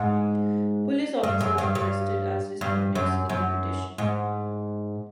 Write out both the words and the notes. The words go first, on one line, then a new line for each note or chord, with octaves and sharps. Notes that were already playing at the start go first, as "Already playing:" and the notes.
Police officers were listed as respondents in the petition.
Already playing: G#2
G2
F#2
G2
G2
G2
F#2
F#2
G#2